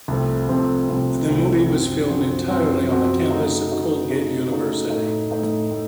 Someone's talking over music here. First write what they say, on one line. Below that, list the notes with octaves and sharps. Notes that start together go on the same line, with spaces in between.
The movie was filmed entirely on the campus of Colgate University.
C2 C3 F3 A3 C4
C2 C3 F3 A3 C4
C2 C3 F3 A3 C4
C2 C3 F3 A3 C4
F#2 F3 C4 F#4
F#2 F3 C4 F#4
F#2 F3 C4 F#4
F#2 F3 C4 F#4
C#3 A3 D#4 F#4
C#3 A3 D#4 F#4
C#3 A3 D#4 F#4
C#3 A3 D#4 F#4
A2 A3 D#4
A2 A3 D#4
A2 A3